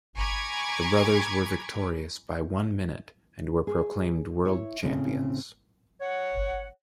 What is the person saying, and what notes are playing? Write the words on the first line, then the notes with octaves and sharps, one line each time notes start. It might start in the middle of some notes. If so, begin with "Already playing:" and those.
The brothers were victorious by one minute, and were proclaimed world champions.
G#5 A#5 B5 C#6 D6 G#6
G#4
E4 C#5
A2 C#3 C4 C#4
C#5 F#5